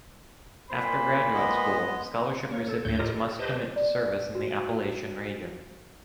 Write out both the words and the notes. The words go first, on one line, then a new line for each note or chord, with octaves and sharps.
After graduate school, scholarship recipients must commit to service in the Appalachian region.
A#2 C5 B5
G#3 B3 D#5
A#3 C#5
A4
D2 A2 C#5 G6
F4 G4 A4 A#4 D#5 A#5
A4
G4 B4 C5 D#5 A5
D5
F#4